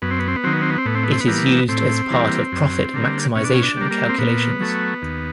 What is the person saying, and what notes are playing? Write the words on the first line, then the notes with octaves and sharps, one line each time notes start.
It is used as part of profit maximization calculations.
F#2 B3
C4
B3
C4
B3
D#3 F#3 C4
B3
C4
B3
C4
A2 B3
C4
B3
C4
B3
E3 G3 A#3
A2 C4
E3 G3 A#3
F#2
D3 G3 A#3
B2 C#4
D4
C#4
D4
G3 A#3
A#3
C4
A#2 B3
F#3 A3
D#2